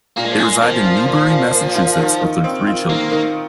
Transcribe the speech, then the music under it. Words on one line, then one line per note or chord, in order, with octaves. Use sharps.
They reside in Newbury, Massachusetts with their three children.
A#2 A#3
G#3
F3
A#2 G#3
F3 A#3
F4
A#2
A#2
A#3
F4
D#3
D#3
C4
F4
D#3 A#3
D#3